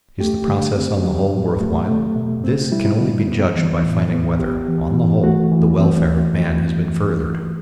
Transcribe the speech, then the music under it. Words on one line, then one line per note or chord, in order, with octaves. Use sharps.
Is the process, on the whole, worth while? This can only be judged by finding whether, on the whole, the welfare of man has been furthered.
A3 G4
D3
C4
F#3 G4
A2
A3
A3
B2
C4
G3 E4
D3
B3
E3
A2
B3
B3 G4
E3
E3
A3 F#4
E3
C4